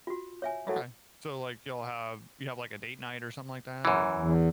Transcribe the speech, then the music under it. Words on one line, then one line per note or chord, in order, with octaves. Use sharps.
Okay, so like you'll have you have like a date night or something like that, or?
F4 F#4
C#5 E5 G#5
A2 F#3
F#2 E3
E2